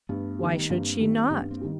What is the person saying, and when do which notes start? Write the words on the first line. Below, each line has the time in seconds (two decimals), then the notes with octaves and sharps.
Why should she not?
0.09 G2 A3 B3
0.39 D#3 G3
0.70 G2 A#3 C4
1.00 D#3 G3
1.30 G2 B3 C#4
1.51 A#3 C4
1.61 D#3 G3